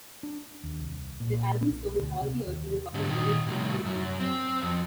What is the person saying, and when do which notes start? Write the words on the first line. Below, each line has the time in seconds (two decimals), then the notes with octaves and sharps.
The album sold all the original copies produced in a few months.
0.23 D4
0.64 D#2
0.80 C2
1.20 A#2
1.71 B1
1.99 D2
2.22 C3
2.47 D#2
2.94 G#2 D3
3.09 A#2 D#3
3.47 C2 A2
3.85 F#2
4.20 C4
4.62 F2